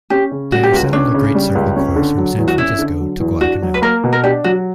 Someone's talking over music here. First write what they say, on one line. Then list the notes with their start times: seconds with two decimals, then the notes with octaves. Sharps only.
They are set on the great circle course from San Francisco to Guadalcanal.
0.10 C#4 G4
0.31 C#3
0.52 G3 F#4
0.63 G4
0.72 C#2 F#4
0.93 C#4 D4
1.14 C#3
1.35 G3
1.55 C#2
1.76 C#4
1.96 D3
2.18 F#3
2.38 E2
2.48 F#4
2.58 C#4 E4
2.79 D3
3.00 F#3
3.20 E2
3.41 D4 F#4
3.62 F#3
3.74 B4
3.82 A#3 A#4
4.04 B2
4.13 A#4
4.23 D4 G4
4.44 F#3 F#4